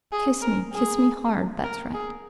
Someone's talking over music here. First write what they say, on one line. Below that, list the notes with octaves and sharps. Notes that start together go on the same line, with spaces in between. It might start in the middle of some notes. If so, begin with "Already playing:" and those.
Kiss me, kiss me hard, that's right.
G#4
A#4
G#4
A#4
G#4